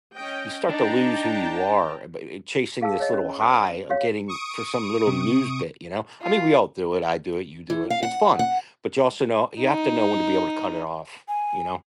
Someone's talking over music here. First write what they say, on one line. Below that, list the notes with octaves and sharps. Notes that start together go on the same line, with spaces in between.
you start to lose who you are, and, b eh eh chasing this little high, on getting for some little news bit, you know? I mean, we all do it, I do it, you do it, it's fun. But you also know you have to know when to be able to cut it off, you know?
C#4 D#5 G5
D4 D#4 G5 A5 A#5
G#4 F5 A5 E6
C#5 D#5
C#4
C5
G4 C#5 F5
C#6 D#6 D7
C3
F4
E3
F5
F#5
F#5
D#4
G#5